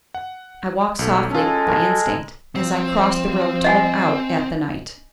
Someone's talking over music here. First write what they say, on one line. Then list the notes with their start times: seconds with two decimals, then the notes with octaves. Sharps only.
I walked softly, by instinct, as I crossed the room to look out at the night.
0.14 F#5
0.99 B1 A4
1.30 G#3 C#4 F4 A4
1.68 A#4
2.55 F3 C4
3.64 D#5 F#5 G#5